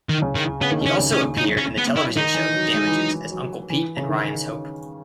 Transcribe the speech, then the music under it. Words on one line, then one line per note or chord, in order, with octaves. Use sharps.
He also appeared in the television shows "Damages" as Uncle Pete and "Ryan's Hope".
D#3
C#3
D#3
C#3 B3
D#3
C#3
C#4
C#3
C#4
D#4
C#4
B3
E4
D#3 D#4
E3
F#3
G#3
E3
F#3
F#3
E3
C#3
D#3